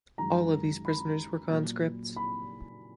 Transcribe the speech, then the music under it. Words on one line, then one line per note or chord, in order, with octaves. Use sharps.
All of these prisoners were conscripts.
F#2 D#3 G#3 A#5
B5
A#2 F#3
B5